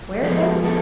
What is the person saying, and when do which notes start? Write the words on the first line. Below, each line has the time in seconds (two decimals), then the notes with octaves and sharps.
"Where it went?"
0.23 F3 G#3 B3 F4 A4
0.63 F3 G#3 B3 F4 A4